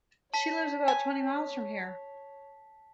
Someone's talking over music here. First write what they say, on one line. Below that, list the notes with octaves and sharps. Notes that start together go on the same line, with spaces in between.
She lives about twenty miles from here.
C#5 A5 B6
G#5